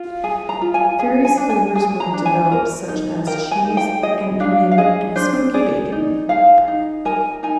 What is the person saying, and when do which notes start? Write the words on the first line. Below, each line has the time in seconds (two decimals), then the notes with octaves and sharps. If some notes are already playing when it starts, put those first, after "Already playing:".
Various flavours were developed such as cheese and onion and smoky bacon.
Already playing: F4
0.23 G#4 G#5
0.49 A#5
0.61 F4
0.74 G#5
0.99 G#4 G#5
1.25 G#5
1.37 D4
1.50 G#5
1.75 G#4 G#5
2.00 A#5
2.13 D4
2.26 G#5
2.52 A#4
2.88 D#4
3.27 A#4 G5
3.51 G#5
3.65 D#4
3.77 G5
4.03 G#4 D#5
4.40 D4 F5
4.71 F5
4.78 G#4 D#5
5.16 D4 C5
5.54 G#4 D5
5.92 D#4
6.29 G#4 F5
6.68 D#4
7.05 A#4 G#5
7.43 D#4 G#5